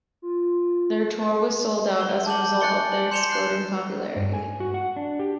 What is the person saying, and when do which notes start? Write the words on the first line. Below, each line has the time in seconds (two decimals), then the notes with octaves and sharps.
Their tour was sold out as a result of their exploding popularity.
0.22 F4
2.01 G7
2.26 A5 D6 G6 F#7
2.60 G#5 F#6 A6 C#7 G7
2.92 F#7
3.11 C6 G6 C#7 E7 F7 G7
3.30 F#6 C7
4.16 G2
4.33 G#5
4.60 F#4
4.74 F#5
4.97 D4
5.19 G4